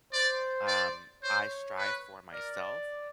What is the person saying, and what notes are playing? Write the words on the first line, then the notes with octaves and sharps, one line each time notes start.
um, I strive for myself.
C5 D5
D5
C5 C#5
B4
A#4 D5